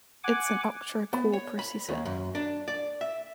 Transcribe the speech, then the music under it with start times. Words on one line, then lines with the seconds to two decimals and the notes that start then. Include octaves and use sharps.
It's an octa-core processor.
0.24 F#5 G#5 D6
1.13 B3
1.33 C#5
1.59 B5
1.88 D#2
2.06 F#2
2.35 D4
2.68 D5
3.01 E5